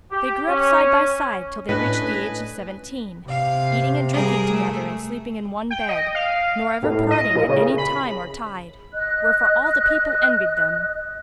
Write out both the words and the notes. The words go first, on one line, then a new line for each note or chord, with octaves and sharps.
They grew up side by side till they reached the age of seventeen, eating and drinking together and sleeping in one bed, nor ever parting at any time or tide; wherefore all the people envied them.
G4
C#4
A2 C#4 D4 B4 D#5 G#5
C3 F5
G3 G#4 A#4
A3
G5
D#5
F5
A2
D#5
A#2
C#3
B5
D#5 F#6